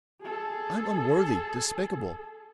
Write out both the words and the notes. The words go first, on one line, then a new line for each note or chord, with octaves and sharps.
I'm unworthy, despicable.
G#4 A4